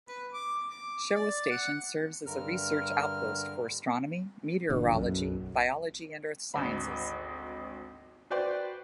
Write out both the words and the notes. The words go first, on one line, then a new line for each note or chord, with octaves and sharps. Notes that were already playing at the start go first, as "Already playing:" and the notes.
Showa Station serves as a research outpost for astronomy, meteorology, biology and earth sciences.
B4
D6
D6
D5
F#5
G2 D3 A#4 F6
G1 A#2 D3 E3
B1 F#2
G#1 D2 B5
F#4 B4 C5 D5 G5